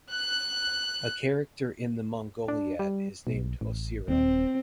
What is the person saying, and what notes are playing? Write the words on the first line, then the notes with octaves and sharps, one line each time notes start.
A character in The Mongoliad is named Ocyrhoe.
F#6
D4
G3
B1
A1
D#1 C4